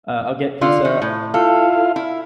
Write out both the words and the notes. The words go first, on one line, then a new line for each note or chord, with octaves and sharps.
uh, I'll get pizza,
D3 F4
D#3
A2
E4 F4 A4 F5
E4